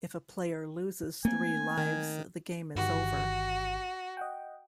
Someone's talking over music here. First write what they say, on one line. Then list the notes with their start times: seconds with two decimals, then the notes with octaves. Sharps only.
If a player loses three lives the game is over.
1.25 A3 A#3 C4 G#5
1.78 D#3
2.75 G1 D#3 F#4 G4
4.17 D#5 F#5 G5